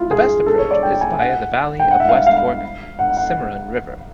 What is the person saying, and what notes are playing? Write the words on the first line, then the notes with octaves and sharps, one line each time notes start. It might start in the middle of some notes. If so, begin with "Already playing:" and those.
The best approach is via the valley of West Fork Cimarron River.
Already playing: E4 F4
G#4
A4
C#5
D5
G5
G#5
F#5
G5
F#5
E5
F5
F5
F#5
F#5